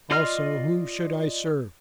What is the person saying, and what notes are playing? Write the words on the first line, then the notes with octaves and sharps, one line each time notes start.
Also whom should I serve?
F4 D5 D#5 C6 F6